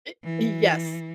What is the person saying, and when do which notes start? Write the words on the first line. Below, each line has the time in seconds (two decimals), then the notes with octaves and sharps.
Eh y yes.
0.24 E3